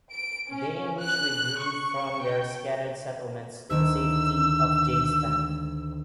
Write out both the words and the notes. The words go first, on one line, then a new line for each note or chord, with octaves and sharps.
The English withdrew from their scattered settlements to the safety of Jamestown.
D7
C#4
F#6
C#6
G5
D2 D#3 E6